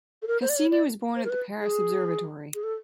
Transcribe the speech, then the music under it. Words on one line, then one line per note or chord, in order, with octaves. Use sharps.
Cassini was born at the Paris Observatory.
A4
A#4
C5
D5
C#5
D5
C5
A#4
B4
G#4
G#4
A4